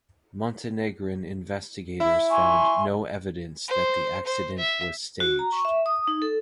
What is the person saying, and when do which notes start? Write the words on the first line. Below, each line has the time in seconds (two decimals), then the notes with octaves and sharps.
Montenegrin investigators found 'no evidence that the accident was staged'.
2.00 E4
2.30 G#5 C6 C#6
3.68 C5
4.25 C5
4.59 E5
5.20 F#4
5.39 A#5
5.52 C#6
5.65 E5
5.86 D#6
6.07 D#4
6.22 A4